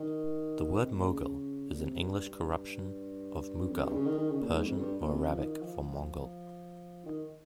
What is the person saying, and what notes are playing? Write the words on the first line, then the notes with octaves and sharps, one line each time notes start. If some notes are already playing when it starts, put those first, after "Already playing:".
The word "mogul" is an English corruption of "mughal", Persian or Arabic for "Mongol".
Already playing: D#3
C3
A#2
C#3
C#3
A#2
C3
G2
G2
F2
G2
C#3
D#3
D#3
C#3
A#2
G#2
F2
G2
A#2
C3
F3
D#3
F3
F3
D#3